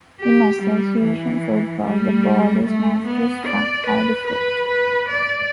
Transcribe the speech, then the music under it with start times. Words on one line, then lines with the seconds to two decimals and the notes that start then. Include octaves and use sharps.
In association football, the ball is mostly struck by the foot.
0.21 G4
0.61 G3
1.01 E3
1.83 G3
2.64 A3
3.05 B3
3.45 D5
3.86 B4
4.27 B4
4.67 B4
5.08 D5